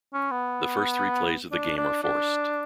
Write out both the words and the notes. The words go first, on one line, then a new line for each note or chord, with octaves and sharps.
The first three plays of the game are forced.
C#4
B3
D4
D4
D4